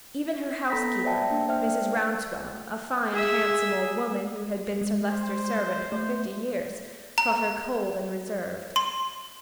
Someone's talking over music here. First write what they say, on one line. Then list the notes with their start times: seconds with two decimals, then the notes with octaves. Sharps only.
Even her housekeeper, Mrs. Rouncewell, a fine, handsome old woman who had been Sir Leicester's servant for fifty years, thought her cold and reserved.
0.70 B3 A4 A#5 B5 A#6 B6
1.04 C5 D5 E5 G5 A5
1.31 A#3 D4
1.48 C5 D5 E5 G5 F6
3.12 G#4 E5
4.81 G#3
5.10 C5
5.92 A3
7.18 A#5
8.76 C6